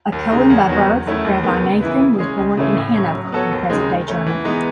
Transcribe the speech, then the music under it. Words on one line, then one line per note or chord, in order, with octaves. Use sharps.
A kohen by birth, Rabbi Nathan was born in Hanover, in present-day Germany.
D#2
C#3 G#3 D#4
E2
D#3 F#3 B3 F#4
E2
D#3 A3 C#4 E4
D#2
D#3 G#3 B3
C#3
E3 B3 E4 B4
C#3
G#3 C#4 G#4
C#2
C#3 E3 A3 C#4
A2
F#3 A3 C#4
F#3
B3 F#4 A4 C#5
D#2
C#3 G#3 D#4
D#3
A3 C#4
E3
G#3 B3 D#4